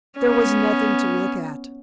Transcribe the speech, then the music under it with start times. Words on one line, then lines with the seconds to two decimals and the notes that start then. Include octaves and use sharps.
There was nothing to look at.
0.18 B3 C#4